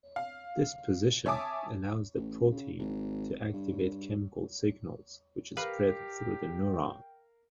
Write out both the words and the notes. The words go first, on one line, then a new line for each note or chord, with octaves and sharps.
This position allows the protein to activate chemical signals which spread through the neurone.
F5
C#5 E5 G#5 A5 D6 D#6
A1
C#3
G#1
G2
G4 A#4 B4 F5 G5